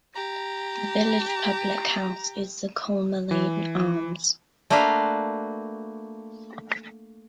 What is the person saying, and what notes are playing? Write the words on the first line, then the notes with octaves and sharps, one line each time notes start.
The village public house is the Cholmeley Arms.
G4 A#5
E3
A3 A#3 D4 F#4 B4 F5